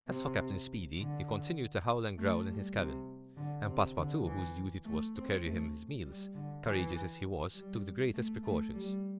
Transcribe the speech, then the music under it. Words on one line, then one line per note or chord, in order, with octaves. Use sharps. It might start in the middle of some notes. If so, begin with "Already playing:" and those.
As for Captain Speedy, he continued to howl and growl in his cabin; and Passepartout, whose duty it was to carry him his meals, courageous as he was, took the greatest precautions.
C3
D3
A3
G3
C3
D3
C3
D3
E3
A3
C4
A3
G3
D3
E3
G3
A3
A3
G3